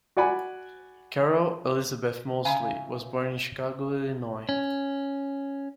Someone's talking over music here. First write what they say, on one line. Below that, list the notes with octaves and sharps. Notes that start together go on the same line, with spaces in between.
Carol Elizabeth Moseley was born in Chicago, Illinois.
F#4 D5 F#5 G#5 B5
C#3 E5 F5 G#5 A#5
C#4